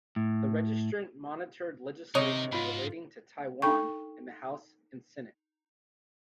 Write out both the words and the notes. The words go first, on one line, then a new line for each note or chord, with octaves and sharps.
The registrant monitored legislation relating to Taiwan in the House and Senate.
A2
C3 D#4 A#4 C#5 D#5
G#2 F4 B5
D4 D#4 A4 G5 C#6